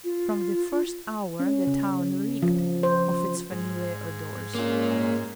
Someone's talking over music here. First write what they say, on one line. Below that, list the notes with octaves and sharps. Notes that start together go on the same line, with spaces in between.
From the first hour the town reeked of its familiar odours.
F4
C#4
C#3
F3
C5
G#2
G#3 A#3 C#4 F4 A#4